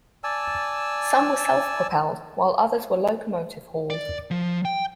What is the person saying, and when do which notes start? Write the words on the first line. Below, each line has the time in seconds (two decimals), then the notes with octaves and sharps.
Some were self-propelled, while others were locomotive-hauled.
0.24 D5 G#5 A5 E6
3.90 D5
4.31 F3
4.65 G5